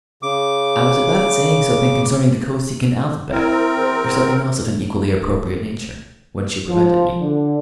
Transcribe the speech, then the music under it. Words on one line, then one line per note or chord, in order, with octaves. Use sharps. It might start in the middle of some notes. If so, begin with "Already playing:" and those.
I was about saying something concerning the Kosekin alphabet or something else of an equally appropriate nature, when she prevented me.
C#3 D6
C4 E4 A#4
E2 C5
F3
D3